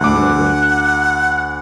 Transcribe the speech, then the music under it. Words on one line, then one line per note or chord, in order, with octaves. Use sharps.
Right, right.
D2 F#5 D6